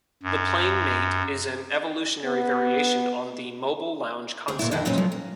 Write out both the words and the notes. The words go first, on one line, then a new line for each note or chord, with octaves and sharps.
The Plane Mate is an evolutionary variation on the mobile lounge concept.
F#2
B3
D2 C4 G#4
D2 A#2 E4
F2 D3 D#3 D4 E4 D#5
F2 A#2 F#3 C4 C#4
C#3 F3 F#3 A3
A#3